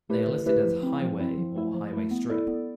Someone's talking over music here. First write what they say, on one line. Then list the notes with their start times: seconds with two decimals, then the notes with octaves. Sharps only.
They are listed as "Highway" or "Highway Strip".
0.10 A3 E4 G4 B4
0.27 D3
0.46 A3 E4 G4 B4
0.65 F3
0.83 C4 E4
1.02 F3
1.20 C4 E4
1.38 F3
1.56 A3 E4
1.74 F3
1.93 A3 E4
2.11 B3
2.30 E4 A4 D5
2.48 B3